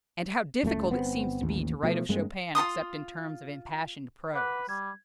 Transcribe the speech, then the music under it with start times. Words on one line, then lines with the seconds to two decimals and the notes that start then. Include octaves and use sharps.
And how difficult it seems to be to write of Chopin except in terms of impassioned prose!
0.63 F#1 C#2 B2 A3
0.91 G1 B3 C4
1.41 A1 D#2
1.83 B2 F3 A3
2.09 G2 G#3 A#3 C4
2.55 F4 A4 C6 D#6
4.34 B4 F#5 D6 F#6
4.69 G3 G#6